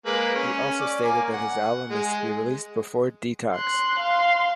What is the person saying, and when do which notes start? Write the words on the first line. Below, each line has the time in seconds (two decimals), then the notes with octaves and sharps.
He also stated that his album is to be released before "Detox".
0.06 G#3 A#3 B4
0.35 C#4
0.80 D5
1.04 A#3 G#5
1.33 F#5
1.90 G#3
3.54 C6 F#6
3.99 F5 C6